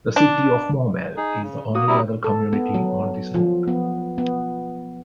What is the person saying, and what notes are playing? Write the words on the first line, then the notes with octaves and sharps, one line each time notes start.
The City of Maumelle is the only other community on this route.
D4
D#4 G#4
C#3
A#3 F#4 D#6
C3 G3 E4 A#5
A4
B3
F#3
F3
B3
B3